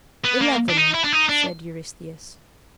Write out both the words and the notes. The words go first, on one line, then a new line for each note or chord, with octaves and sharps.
"Eleven," said Eurystheus.
B3
A#3
D4
D#4
E4
D4
D#4
D4